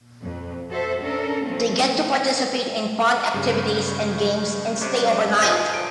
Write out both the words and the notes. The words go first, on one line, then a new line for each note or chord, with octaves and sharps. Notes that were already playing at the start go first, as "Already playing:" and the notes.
They get to participate in fun activities and games and stay overnight.
F2
F#4 A4 C5 E5
C#4 D4 A4 A#4
F3 A3 A#3 C4 C#4
G2 C#3
C3 A3 D4
D#2 B2 F3 D#5 G#5 G6
A#2 D3 F3 D7